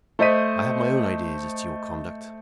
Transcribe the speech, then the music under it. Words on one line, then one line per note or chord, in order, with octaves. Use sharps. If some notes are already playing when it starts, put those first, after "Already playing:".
"I have my own ideas as to your conduct."
A3 C5 D#5 B6 D#7